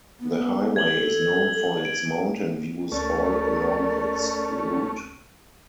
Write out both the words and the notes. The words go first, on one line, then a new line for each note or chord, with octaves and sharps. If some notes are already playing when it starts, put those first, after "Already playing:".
The highway is known for its mountain views all along its route.
B3
G#6 F#7 G7
A4
D7
D2 A3 C#4 A#4 D5